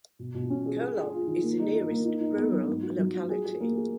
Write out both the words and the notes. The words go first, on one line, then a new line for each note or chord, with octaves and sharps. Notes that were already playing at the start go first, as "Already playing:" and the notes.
Kolob is the nearest rural locality.
B2
B2
C#4
G#4
G#4
G#4
F4
D#3
A#3
D#4
D#4
A#3
D#4
D#4
B3
F#3
G#2
F#4
F#3
F#4
G#4
G#4
A#3
G#4